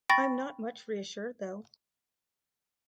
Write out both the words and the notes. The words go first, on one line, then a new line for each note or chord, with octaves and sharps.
I'm not much reassured though.
G5 B5 C#6 A6 A#6